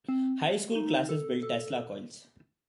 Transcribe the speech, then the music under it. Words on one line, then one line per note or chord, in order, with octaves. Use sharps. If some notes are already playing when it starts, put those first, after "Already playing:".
High school classes built Tesla coils.
C4
D#4
A4
A4